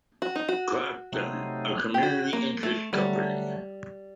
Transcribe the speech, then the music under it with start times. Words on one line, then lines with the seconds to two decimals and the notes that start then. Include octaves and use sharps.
Clacton, a community interest company.
0.22 F#4
0.36 D#4
0.49 F#4
1.12 C3 F#3 A3 C4 D#4
1.94 G4
2.03 F#4
2.33 A#3
2.63 A3
2.93 D3 F#3 G3 A3